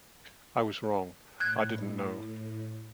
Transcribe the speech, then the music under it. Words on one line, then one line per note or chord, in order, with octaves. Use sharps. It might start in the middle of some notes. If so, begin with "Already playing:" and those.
I was wrong, I didn't know.
A2 F#6 G#6